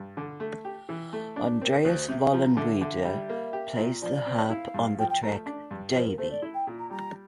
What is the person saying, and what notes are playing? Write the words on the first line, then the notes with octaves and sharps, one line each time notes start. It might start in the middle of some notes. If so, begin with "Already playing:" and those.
Andreas Vollenweider plays the harp on the track "Davy".
Already playing: G2
D3
A3
G4
E3
A3
D4
C4 A#4
D2 C5
C3 E5
F5
F3 A#5
A#5
D3 E5
D3 E5
G3
A#3
G4
A#2
F3 D5
C4
E4 F5
G2
F3 G5
G5
A3 A#5
D4
G2
F3 C5
A#4
A3 C5
D5
E4
G5
A#2
A#5
G3 A#5